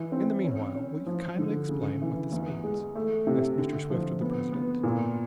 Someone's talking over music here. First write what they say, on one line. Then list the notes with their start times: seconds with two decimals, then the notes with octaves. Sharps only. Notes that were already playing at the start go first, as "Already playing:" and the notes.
"In the meanwhile will you kindly explain, what this means?" asked Mr. Swift of the president.
Already playing: E3
0.12 C4
0.44 C#4
0.75 C#4
1.06 F3
1.39 D3
1.69 C#3
2.02 E3
2.32 E2
2.64 G#3
2.95 A3
3.27 C3
3.58 D3
3.90 F3
4.21 B3
4.52 B3
4.83 A#2